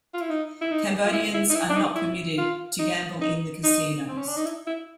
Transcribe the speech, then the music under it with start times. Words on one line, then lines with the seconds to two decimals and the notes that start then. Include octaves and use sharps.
Cambodians are not permitted to gamble in the casinos.
0.14 F4
0.21 E4
0.30 D#4
0.61 E4
0.71 D#4
1.05 F4
1.13 E4
1.34 E4
1.49 D#4
1.55 E4
1.70 D4
1.75 D#4
1.96 E4
2.38 F4
2.79 D#4
3.21 D#4
3.63 D#4
4.08 C4
4.18 C#4
4.27 D4
4.36 D#4
4.46 E4
4.67 E4